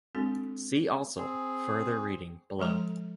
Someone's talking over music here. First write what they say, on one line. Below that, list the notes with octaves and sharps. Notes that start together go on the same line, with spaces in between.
See also "Further Reading", below.
G#3 C4 D4 F#4 A4
C4 G#4
F3 G#3 A4 A#5